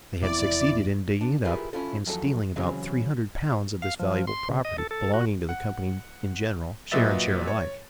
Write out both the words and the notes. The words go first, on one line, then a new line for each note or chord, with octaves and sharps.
They had succeeded in digging it up and stealing about three hundred pounds of this valuable property, belonging to the company in general, share and share alike.
F1 E2 B3 E4 D5
D4
E4 F4 G4 G#4 A#4 B4
C#4 E4 F4 A4
E2 F3 F#3 A4
C#3 E3 F#3 C4 C#4 G#4
F5
F3
C6
C#3
D#5
A4
A4
F#4
F#5
A#2 F#3 B4 D#5 E5 A6
C#5